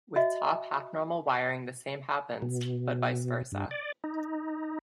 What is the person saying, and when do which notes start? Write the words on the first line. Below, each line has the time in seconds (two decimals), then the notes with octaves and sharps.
With top half-normal wiring, the same happens but vice versa.
0.16 F#4 D#5 E5
2.42 B2
3.52 G2
3.71 D5
4.04 D#4